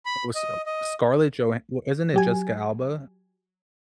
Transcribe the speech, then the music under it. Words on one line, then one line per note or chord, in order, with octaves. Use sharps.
Oh, was, uh, Scarlet Joha wh isn't it Jessica Alba?
B5
D#5
D#5
F#3 G4 G#5